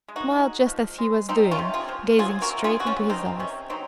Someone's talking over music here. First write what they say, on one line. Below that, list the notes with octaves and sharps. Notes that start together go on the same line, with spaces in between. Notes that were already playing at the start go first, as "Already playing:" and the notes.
She smiled just as he was doing, gazing straight into his eyes.
G#3
D#4 F#4
G#3
F3
G#3
F3 C4 D#4
C#4 F4
C3
F4 G#4
F3
F#3 F4 G#4
F#4 A#4
C3
F4 G#4
C3 F#4
C#4 F4
D#3 C4 D#4
C3 C#4
F#3 C4 D#4